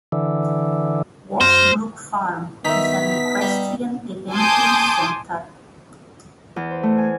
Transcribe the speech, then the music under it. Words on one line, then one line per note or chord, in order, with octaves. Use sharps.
Washbrook Farm, is an equestrian eventing centre.
D3 E3
F#2 C5 F6 A#6
D#3 B3 D#4 E5 B6
G3
G#5 A5 C6 D6 D#6 G6
E2
C5
A3
G#5